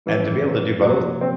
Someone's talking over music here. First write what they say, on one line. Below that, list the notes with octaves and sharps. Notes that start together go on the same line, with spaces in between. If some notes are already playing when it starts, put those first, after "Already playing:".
and to be able to do both
E3 F3 G#3 C#4 E4
C3 F3 F#3 A#3
C4